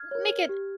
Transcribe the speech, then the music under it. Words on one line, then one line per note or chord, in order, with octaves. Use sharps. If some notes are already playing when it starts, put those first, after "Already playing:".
make it
Already playing: F6 G#6
A#4 C#5
G4